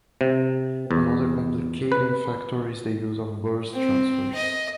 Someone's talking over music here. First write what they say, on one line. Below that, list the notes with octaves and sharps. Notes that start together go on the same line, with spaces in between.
Another complicating factor is the use of burst transfers.
C3
E2
B4
C4
D#5